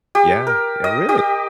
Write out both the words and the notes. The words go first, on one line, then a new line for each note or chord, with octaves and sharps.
Yeah, yeah, really,
G4
A#4
D#5
G4